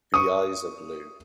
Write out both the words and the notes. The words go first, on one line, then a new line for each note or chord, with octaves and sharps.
The eyes are blue.
C#6 D#6